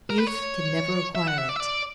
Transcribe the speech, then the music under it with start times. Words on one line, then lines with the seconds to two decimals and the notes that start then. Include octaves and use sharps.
Youth can never acquire it.
0.10 A#4
0.18 B4
0.27 C#5
1.15 E5
1.27 F#5
1.38 E5
1.49 D5
1.56 E5
1.60 D5